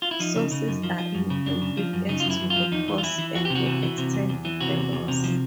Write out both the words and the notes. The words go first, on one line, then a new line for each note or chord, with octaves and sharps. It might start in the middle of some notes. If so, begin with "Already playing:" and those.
Sources are in conflict as to the cause and the extent of the loss.
F4
E4
F3 D#4
C#3
C#3
F#2
F3
F3
F#2
C#3
F#2 D4
C#3
F3
F#2
C#3 D#4
F4
F#2 E4
F#2
F4
F3
E2 D#4
E3
F4
E3 E4
E3
E2 F#4
G4
C3
F#4
E3
E3
C3
E2
E2
E3
C3 F#4
E2
E2
C3
F3